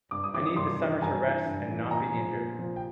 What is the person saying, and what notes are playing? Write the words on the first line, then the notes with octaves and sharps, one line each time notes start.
I need the summer to rest and not be injured.
G2 D6
D#6
E3 D6
D#6
G2 C6 D6
E3
G2 G#5 A#5
E3
G2
E3
A#2 G#5 A#5
F3
A#2
F3
G5